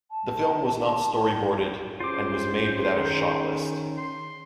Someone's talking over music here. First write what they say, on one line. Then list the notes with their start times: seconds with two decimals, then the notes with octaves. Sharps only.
The film was not storyboarded and was made without a shot list.
0.11 A5
2.00 C#4 F4 G#4 C5 D6
2.96 D#3
3.98 C6